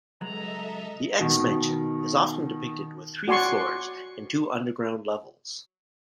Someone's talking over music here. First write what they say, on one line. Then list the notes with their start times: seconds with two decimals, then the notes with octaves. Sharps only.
The X-Mansion is often depicted with three floors and two underground levels.
0.21 C#2 F#3 G#3 A4 D#5 E5 A#5
1.20 B2 D#3
3.28 F#4 D5 G#5 C6 C#6